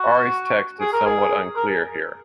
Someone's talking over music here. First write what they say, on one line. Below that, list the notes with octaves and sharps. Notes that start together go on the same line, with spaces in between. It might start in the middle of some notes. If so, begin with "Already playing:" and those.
Ari's text is somewhat unclear here.
Already playing: F#4
G#4
A#4
G#4
A#4